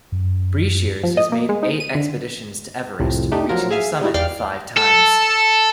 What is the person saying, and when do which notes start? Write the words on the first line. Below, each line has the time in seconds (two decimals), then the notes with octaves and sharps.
Breashears has made eight expeditions to Everest, reaching the summit five times.
0.12 F#2
1.03 F3
1.17 D#5
1.32 A#3
1.49 G#3
1.63 D#4
1.80 D#7
1.95 D3
2.99 C2 F2 A2 C3
3.32 A3 D4 D#4 G4
3.49 F3 F#3 F4 A#4
3.70 G#4 E5 F5 G#5
4.01 G3 D#4 E4 F#4
4.14 E2 D5 F5 G5 F6
4.77 A4